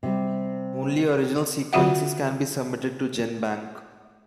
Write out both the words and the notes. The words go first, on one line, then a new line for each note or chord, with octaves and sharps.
Only original sequences can be submitted to GenBank.
C3 G3
D3 F#3 F4 F#4 E5 F#5